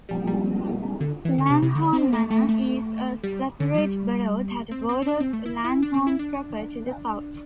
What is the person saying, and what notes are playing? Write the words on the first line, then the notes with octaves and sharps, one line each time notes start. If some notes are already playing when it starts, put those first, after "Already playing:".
Langhorne Manor is a separate borough that borders Langhorne proper to the south.
G3
G3
D3
E3
D3
C3
C3
D3
C4
A3
A3
A3
G3
D3
E3
G3
C4
C4
C4
D4
C4
A3
E4
E4
D4
C4
E4
D4